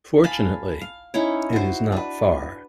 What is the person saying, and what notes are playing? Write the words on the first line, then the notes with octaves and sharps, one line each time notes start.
Fortunately it is not far.
F5 G#5 A5 B5
F5
C#4 D#4 E4 C#5
F#4 C5
D4 B4